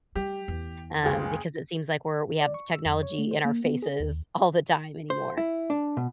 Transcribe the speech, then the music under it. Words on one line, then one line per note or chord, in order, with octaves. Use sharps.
um, because it seems like we're we have technology in our faces all the time anymore.
G3 G4
E2
F#1 C#2 G#4 G5
D5
C#6
E6
F2
C#5
A3
C5
A#3
B3
G#4
D#2
C5
E4
D4
B2